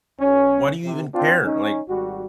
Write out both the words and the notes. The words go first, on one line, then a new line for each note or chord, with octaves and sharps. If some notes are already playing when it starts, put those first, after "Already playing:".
"Why do you even care?" Like,
B1 C#4
C3
C4 D4 F4
C#4 D#4
G#1 G3 F#4